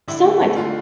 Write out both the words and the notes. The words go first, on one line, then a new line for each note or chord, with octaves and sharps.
so much.
D3 E4
A3
A3
D3 F4